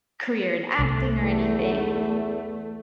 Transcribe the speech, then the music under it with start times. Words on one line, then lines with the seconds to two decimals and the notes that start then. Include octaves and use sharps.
career in acting or anything.
0.79 C2 A3
1.19 E2